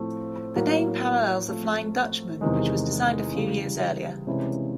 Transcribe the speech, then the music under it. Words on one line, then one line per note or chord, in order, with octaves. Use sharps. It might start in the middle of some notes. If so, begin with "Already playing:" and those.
The name parallels the Flying Dutchman which was designed a few years earlier.
Already playing: A2 F3 A3 C4
A2 F#3 A#3
F3 A3 C4
E2 C3 D#3 G#3
C#3 E3 G3
C3 E3 G#3 C#4 E4